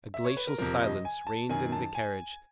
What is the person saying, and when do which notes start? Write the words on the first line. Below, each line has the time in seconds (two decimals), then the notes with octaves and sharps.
A glacial silence reigned in the carriage.
0.14 E5
0.24 C#5
0.37 B4
0.47 A#4
0.58 F2 C3 F3 A#4
0.82 D#5
1.05 G#5
1.27 A5
1.49 F#2 D#3 G#5
1.72 A5
1.95 G#5